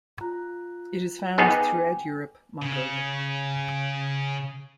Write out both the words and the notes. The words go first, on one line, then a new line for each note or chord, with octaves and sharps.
It is found throughout Europe, Mongolia.
F4 A#5 F#6
B3 D#4 G#4 G5 G#5 D6
C#3 C#4